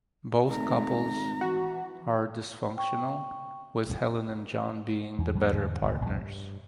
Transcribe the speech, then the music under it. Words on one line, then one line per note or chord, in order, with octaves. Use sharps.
Both couples are dysfunctional with Helen and John being the better partners.
G#1 G#3 A3 A#5
E3 F#4
G5 C#6
E2
E2 G3 G#3 B3
E2 G#2 D3
E1 D2 A#2 C#3
B1 F2 G#2 C3
G2